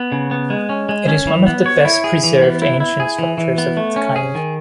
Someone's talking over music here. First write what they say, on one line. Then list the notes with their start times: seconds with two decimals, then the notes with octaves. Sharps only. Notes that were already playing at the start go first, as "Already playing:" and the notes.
It is one of the best preserved ancient structures of its kind.
Already playing: B3
0.12 C#3
0.31 B3
0.50 G#3
0.69 C#4
0.89 G#3
1.08 C#4
1.27 E3
1.46 B3
1.66 C#5
1.85 E4
2.04 G#4
2.23 E3
2.42 B3
2.62 E4
2.80 E4
3.00 G#4
3.19 E3
3.38 E3
3.58 B3
3.77 A3
3.96 C#4
4.16 G#4
4.35 D#3